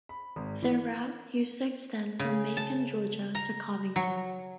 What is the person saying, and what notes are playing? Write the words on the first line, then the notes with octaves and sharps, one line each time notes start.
Their route used to extend from Macon, Georgia to Covington.
B5
G#1
E3
C#3
A5
A#5
F#3